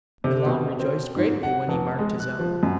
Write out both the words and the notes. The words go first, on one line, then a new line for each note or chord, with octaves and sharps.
Milon rejoiced greatly when he marked his own.
C3
B2
C4
G#2
F#5
F1
G#3
F#6
F3
F#2